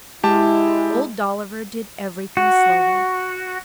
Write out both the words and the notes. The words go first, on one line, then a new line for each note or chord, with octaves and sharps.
Old Dolliver did everything slowly.
G#3 E4 G4 A5
F#4